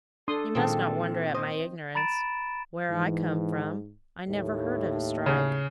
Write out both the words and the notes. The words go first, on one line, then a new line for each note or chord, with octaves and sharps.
You must not wonder at my ignorance; where I come from I never heard of a strike.'
D4 A4 C6 D#6
A#2 D#3 G#3 C4 A5
C5 D#5
A#5 B5 A6 D7 E7
G#2 E3
D#2 A2
C#3